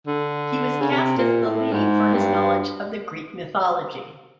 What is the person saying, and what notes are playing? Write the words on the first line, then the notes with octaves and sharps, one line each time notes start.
He was cast as the lead for his knowledge of the Greek Mythology.
D3
C#3
C3
A#2
A2
G#2
G2